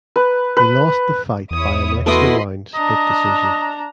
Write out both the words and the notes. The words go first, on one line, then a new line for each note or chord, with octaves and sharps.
He lost the fight by an extra round split decision.
B4
B4
E2 E4 C#5 D#6
B2 E4 F#4 A4 D#5 B5 C6 D#6
D4 D#5 A#5